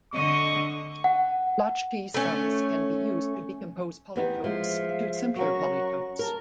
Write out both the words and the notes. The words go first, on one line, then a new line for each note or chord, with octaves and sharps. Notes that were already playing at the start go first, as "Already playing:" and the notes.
Blaschke sums can be used to decompose polytopes into simpler polytopes.
D3 D#5 C#6
F#5
A3 C#4
E2 B3 D#4 G4
F3 G#3 E5 F5
F#3 C#4 F#4 A#4 C#6
A#4 A5 A#5